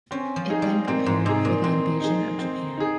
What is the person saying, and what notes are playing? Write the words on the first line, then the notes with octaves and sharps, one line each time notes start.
It then prepared for the invasion of Japan.
C4 C#4
F3
D#4 G#4
G3
A#2 C4
G#2
C3 D#4 G#4
A#2
A#2 C4
D#4 G#4
C4
D#4 G#4